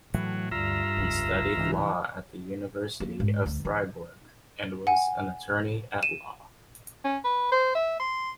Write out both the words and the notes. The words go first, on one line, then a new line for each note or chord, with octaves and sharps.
He studied law at the University of Fribourg and was an attorney-at-law.
A2 E3 F#3 A3
D2 G2 F4 E5 A#5
F1 C#2
C2 G#2 C#3 E3
A#3
G#2
D2
E3
F#5 G#5
D#7 E7
C#4
B4
C5
E5
C6